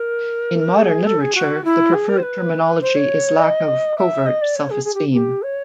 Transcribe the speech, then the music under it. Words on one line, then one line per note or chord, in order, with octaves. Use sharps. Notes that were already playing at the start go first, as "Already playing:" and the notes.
In modern literature, the preferred terminology is "lack of covert self-esteem".
Already playing: A#4
G#4
A4
G#4
F#4
E4
G#4
A#4
C5
B4
C5
C#5
D#5
E5
D#5
D5
C#5
G#4
G#4
G4
G4
C#5